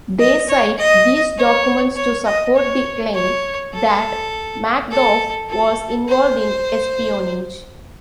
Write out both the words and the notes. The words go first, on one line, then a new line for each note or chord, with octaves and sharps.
They cite these documents to support the claim that Magdoff was involved in espionage.
D#5
C#5
D#5
C#5
C#5
D#5
C#5
C#5
A4
A4
A4
C5